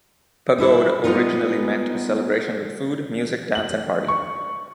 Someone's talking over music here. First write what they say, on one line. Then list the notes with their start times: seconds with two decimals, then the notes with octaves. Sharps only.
Pagode originally meant a celebration with food, music, dance and party.
0.58 G3 E4 A4 B4
1.04 G3 G#3 B3 C4 D#4 F4
3.55 F#7
4.08 C#6